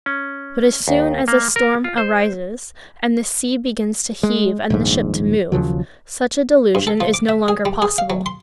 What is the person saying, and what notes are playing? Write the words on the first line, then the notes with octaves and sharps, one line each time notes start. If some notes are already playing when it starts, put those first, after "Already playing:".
But as soon as a storm arises and the sea begins to heave and the ship to move, such a delusion is no longer possible.
C#4
D#2
A#3
A#4
F4
C5
G#3
D#1 A#1 G#2
D#2 C#3 F3 F#3
G2
A4
F3
D6
E5
G#4
G3
G#4
F5
F#3
C6